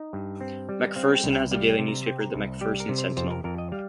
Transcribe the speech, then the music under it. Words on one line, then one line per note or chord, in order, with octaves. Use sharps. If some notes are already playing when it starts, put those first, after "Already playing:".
McPherson has a daily newspaper, "The McPherson Sentinel".
Already playing: D#4 D#5
G2
C4
G3
C4 F5
G5
C2
G5
G3 F5
G5
C3
A#5
C4 G5
A#5
C2
G3 G4
A#4
C3
C5
F2 C5
A#4
F2 A#4
D#5
G3 F5